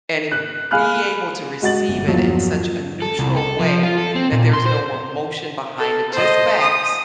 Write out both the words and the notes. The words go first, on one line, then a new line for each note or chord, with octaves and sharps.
and in be able to receive it in such a neutral way that there's no emotion behind it, just facts,
F#6
G#4 F5 G#5 B5 F6 F#6
G#3 F#4 F#5 A6 F#7
G1
E2 G2 F3 F#3
A4
C2
A4
F3
F4
A4
C4
A#2
C6
C5
A4
C5 D#5
D#6